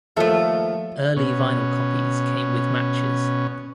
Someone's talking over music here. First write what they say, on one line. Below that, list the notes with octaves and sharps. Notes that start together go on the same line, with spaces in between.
Early vinyl copies came with matches.
D#2 F3 A3 A4 E5
B2 C#4